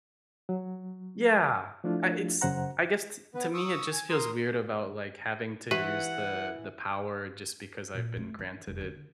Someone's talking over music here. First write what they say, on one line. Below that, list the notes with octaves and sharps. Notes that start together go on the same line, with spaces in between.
Yeah. I it's I guess, t to me, it just feels weird about, like, having to use the the power just because I've been granted it.
F#3
F3 A3 D4 E4 F4
F#2 C#3 C5 F#5 A#5
B3 B4
C#6 D#6 E6
G#5
A#4 C6 D#6
E3 G4 B4 F#5
A#2
A3
E3
F1
D3